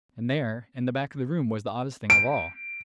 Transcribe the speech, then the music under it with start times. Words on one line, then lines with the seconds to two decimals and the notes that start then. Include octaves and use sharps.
And there in the back of the room was the oddest thing of all.
2.10 D7